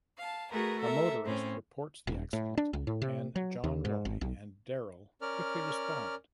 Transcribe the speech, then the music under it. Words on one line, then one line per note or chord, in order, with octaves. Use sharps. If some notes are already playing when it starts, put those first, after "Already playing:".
A motorist reports the accident and Jon Roy and Darryl quickly respond.
F5 A5
A3 F#4 G#4 A#4 B4
A4 A#4 E5
A2 C4 C#4
D#1
A2
D4
C#2
A2
C3
F#3
D#2
G#2
G#1
B1
C#4 A#4 D5 F6